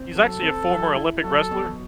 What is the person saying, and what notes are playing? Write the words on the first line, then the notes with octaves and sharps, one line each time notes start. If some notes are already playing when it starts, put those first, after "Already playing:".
he's actually a former Olympic wrestler.
Already playing: C4
F#3 A4
C4
F#3
E4
F#3 A4
B2